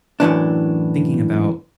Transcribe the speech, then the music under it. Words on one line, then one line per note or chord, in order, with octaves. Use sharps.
thinking about
F#2 A2 E3 D4